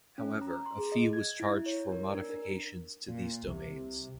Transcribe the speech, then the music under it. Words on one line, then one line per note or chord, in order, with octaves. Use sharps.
However, a fee was charged for modifications to these domains.
C#4
A#5
C6
G#4
D#5
G#6
E4
C#5
A#4
D4
A#4
A#2
C2 C3